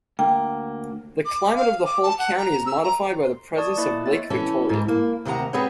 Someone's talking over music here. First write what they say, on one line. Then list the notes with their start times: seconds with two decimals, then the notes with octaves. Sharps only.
The climate of the whole county is modified by the presence of Lake Victoria.
0.19 D2 A#3 G5
1.25 D6
1.56 F5
1.85 D6
2.03 A5
2.18 F#5
2.37 A#5
2.66 E6
2.83 A#5
3.23 C6
3.56 A4 D5 A5 C#6 D#6 G#6
3.77 A#3 E4 B4 D#5 E5 A6
4.06 B3 C#5 E5 A6
4.30 E3 C#4 A4
4.69 G#2 E3
4.88 A#3
5.25 D2 C3 D#3 F5 F#5 A#5
5.53 B3 C4 G#4 B4 C#5 F#5